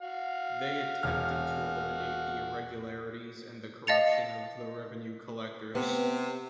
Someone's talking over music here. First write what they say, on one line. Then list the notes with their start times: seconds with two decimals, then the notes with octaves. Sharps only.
They attempted to eliminate the irregularities and the corruption of the revenue collectors.
0.02 F#4 F5
1.03 E1 F6
3.87 D#5 F5 A5 A6 C#7 F7
5.75 C3 B3